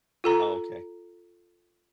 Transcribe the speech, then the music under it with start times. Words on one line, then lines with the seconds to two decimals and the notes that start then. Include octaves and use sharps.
Oh, okay.
0.24 F4 A4 A#5